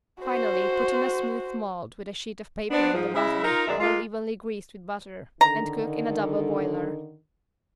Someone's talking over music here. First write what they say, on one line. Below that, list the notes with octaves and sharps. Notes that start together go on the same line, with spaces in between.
Finally put in a smooth mold with a sheet of paper in the bottom, all evenly greased with butter and cook in a double boiler.
F#4 C5
B3 C4 D4
G#2 F3
C#3 G#3 E4 E5
D#4 F4 A#4
F#2 D#3 G#3 D5 E5
G#3 A#3 F4
D3 D#3 A#5